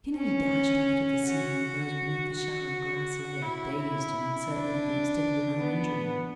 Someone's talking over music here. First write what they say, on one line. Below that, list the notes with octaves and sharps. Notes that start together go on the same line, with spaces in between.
Kennedy dashed over to the scene where those beneath the shower of glass lay, dazed and uncertain of the extent of their own injuries.
C#4
F#4
F#4
E4
D4
B3